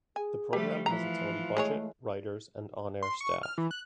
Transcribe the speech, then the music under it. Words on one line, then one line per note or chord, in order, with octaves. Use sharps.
The program has its own budget, writers and on-air staff.
G#4 G#5
F3 G3 A3 G4
E3 F3 F4 A#5
G#3 A3 G#4 C#5
C6
C#6
F6
E3
F#6